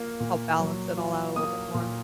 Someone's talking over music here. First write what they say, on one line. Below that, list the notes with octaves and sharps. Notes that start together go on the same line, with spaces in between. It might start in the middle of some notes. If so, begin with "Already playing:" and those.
Help balance it all out a little bit more.
Already playing: A#3 F4 F5
A#2
F#3
F4
A#3 D#6
A#2